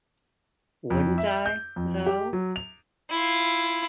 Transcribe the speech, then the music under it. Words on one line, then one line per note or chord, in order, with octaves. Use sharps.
Wouldn't I, though?
F2
E5
G6
F2
G4
F#3
F7
E4 F4